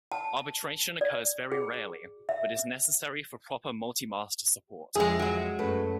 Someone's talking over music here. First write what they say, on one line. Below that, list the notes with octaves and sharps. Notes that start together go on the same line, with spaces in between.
Arbitration occurs very rarely, but is necessary for proper multi-master support.
A5
D5
G#4
E5
F2 G#3 G#4 C#5 E5
F#3 G#3
F#2 A3 B4